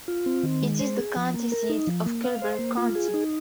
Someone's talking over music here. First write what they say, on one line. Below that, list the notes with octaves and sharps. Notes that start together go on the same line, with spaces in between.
It is the county seat of Kleberg County.
F4
C4
D#3
G#3
C5
G#4
F3
A#3
A#4
D#4
F3
A#3
F5
C5
A#3
F4
G#4
D#4